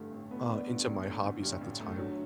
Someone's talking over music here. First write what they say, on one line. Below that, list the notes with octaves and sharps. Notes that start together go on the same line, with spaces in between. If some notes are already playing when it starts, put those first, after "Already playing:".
uh, into my hobbies at the time.
Already playing: G2 D3 A3
A1
A3 B3
D3 D4
G2
A1
A3
D3
G2 G3
A1
A3
D3 F#3